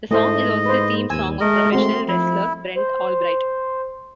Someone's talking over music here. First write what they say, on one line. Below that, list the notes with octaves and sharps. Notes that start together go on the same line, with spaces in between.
The song is also the theme song of professional wrestler Brent Albright.
G#2 A3 E4 C5 D#5
B4 C5
D#2 G#5 E6
G#3 A3 A#4 D#5
A3 C4 F#4 C6
F3 E4
C5